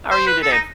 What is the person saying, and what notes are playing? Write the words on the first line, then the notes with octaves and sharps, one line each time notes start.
How are you today?
C5
B4
A4
D#4